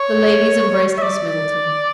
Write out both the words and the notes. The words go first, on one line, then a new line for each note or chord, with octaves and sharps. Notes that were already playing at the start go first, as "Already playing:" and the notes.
The ladies embraced Miss Middleton.
Already playing: C#5
E5
D5